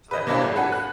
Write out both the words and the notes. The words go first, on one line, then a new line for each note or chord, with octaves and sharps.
So that always
B4 D#5 B5
C3 F#3 A#3 C4 D4 E4
G#1
A4 B4 F#5 G#5
F#6